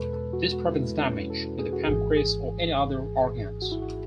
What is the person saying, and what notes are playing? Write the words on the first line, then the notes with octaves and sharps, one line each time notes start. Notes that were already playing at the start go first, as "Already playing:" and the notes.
This prevents damage to the pancreas or any other organs.
Already playing: E2 B2 G#3 A4 B4
A4
F#4
F#4
E4
C#4
A4
A4
G#4
F#4
G#1 G#2 E3 G#4
G#4
F#4
E4
F#4